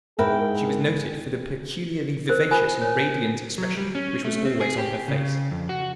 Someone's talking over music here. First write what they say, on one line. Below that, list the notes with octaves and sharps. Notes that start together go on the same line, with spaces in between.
She was noted for the peculiarly vivacious and radiant expression which was always on her face.
G#2 E4 G#4 A#4 B4 G5
A#4 C5
F4 C5 G#5 D#6
C#5
F#3
G3
C#4
A3
C4
G#4
G4
C#3
F2
F#4